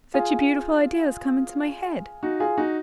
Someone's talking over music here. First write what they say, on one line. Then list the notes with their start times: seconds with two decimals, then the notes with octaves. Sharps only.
Such a beautiful idea has come into my head!
0.14 F4 G#4
2.23 D#4 F#4
2.39 F4 G#4
2.58 D#4 F#4